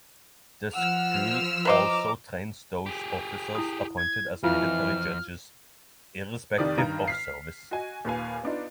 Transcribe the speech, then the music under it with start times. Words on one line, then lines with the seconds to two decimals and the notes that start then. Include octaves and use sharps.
The school also trains those officers appointed as military judges, irrespective of service.
0.74 F3 F#5 E6 F6
1.65 B4 C5 D#5 A#5 D6
2.86 G4 G#4
3.55 E4 D#6
3.97 G#6
4.43 F2 E3 E4 F4 F5 F6
6.58 F1 D#3 G4 D5 D#6
6.78 G2 D#3 A#5
7.08 F6 B6 C7
7.71 F#4 D#5 G#5
8.05 D#2 A#2 B4 F5 G#5
8.43 B3 D4 D#4 F4